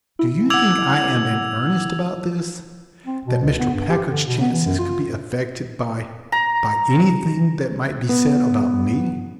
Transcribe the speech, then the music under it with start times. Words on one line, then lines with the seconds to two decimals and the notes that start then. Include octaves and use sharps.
Do you think I am in earnest about this--that Mr. Packard's chances could be affected by--by anything that might be said about me?
0.19 E4
0.50 F#5 D6 E6 G#6 F7
3.06 C4
3.26 B2
3.42 C#2
3.59 B3
3.74 G2
3.89 G4
4.10 D3
4.26 B2
4.41 B3
4.52 E3
4.65 F#2
4.79 F4
6.32 A#5
8.09 B3